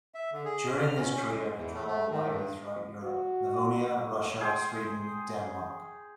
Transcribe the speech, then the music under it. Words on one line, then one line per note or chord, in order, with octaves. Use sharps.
During his career, he travelled widely throughout Europe - Livonia, Russia, Sweden, Denmark.
E5
D3
G#4
F6
C#4
C#4
G#3
E2
A3
A3
D#3
G2
F#4
G#4 G5 C6